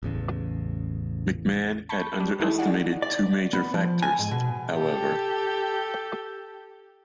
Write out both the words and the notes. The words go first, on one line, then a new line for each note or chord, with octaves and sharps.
McMahon had underestimated two major factors, however.
A1 E2 C#3
A5 B5 C#6 G6
D4 G4
E3 G#3 A3 D#4 E4
D#4 F#4 G#4 D5 F#5
D5
B3
F3
G#5
G#2
B2
G4 A4